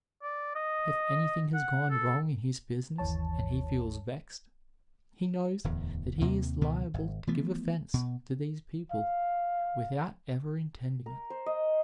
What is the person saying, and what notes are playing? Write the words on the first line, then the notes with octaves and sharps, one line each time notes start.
If anything has gone wrong in his business and he feels vexed, he knows that he is liable to give offense to these people without ever intending it.
D5
D#5
F#5
A4
G1 D#2 E3 C#5 A5
D1 E2
D#2 C3 A#3
C#2 B2 D#3 B3
G#1
E3 F3 A3 B3
B2
F5
A#4
C5
D#5